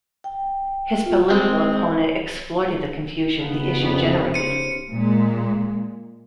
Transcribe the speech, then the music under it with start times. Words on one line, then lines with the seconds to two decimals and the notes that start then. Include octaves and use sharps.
His political opponent exploited the confusion the issue generated.
0.24 G5
1.06 F4
1.30 G#3 C4
3.39 C#3 B3 D#4 F5
3.81 F2 C#4 D#4 G4
4.34 C5 F6 C#7 D#7
4.91 A#2 G#3